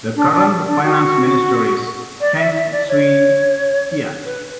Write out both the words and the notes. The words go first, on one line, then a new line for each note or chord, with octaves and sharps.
The current Finance Minister is Heng Swee Keat.
D4
D4
D4
F#4
D5
E5
E5
D5
C#5
B4